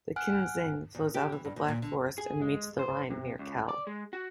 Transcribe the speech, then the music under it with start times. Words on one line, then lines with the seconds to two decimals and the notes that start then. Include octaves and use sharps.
The Kinzig flows out of the Black Forest and meets the Rhine near Kehl.
0.16 F#5 G#5 F6 F#6 D7
0.95 E2
1.14 G4
1.32 E3
1.45 G2
1.56 D#2
1.68 A#2
1.82 D3
2.18 G#4
2.42 G#3
2.79 C5
3.10 C3
3.39 C#2
3.69 D5
3.87 G#3
4.13 F#4